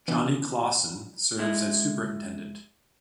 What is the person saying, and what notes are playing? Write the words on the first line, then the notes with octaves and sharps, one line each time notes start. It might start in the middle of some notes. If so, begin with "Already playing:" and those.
Johnny Clawson serves as Superintendent.
E3 B3 D4
G#3 D#4 E4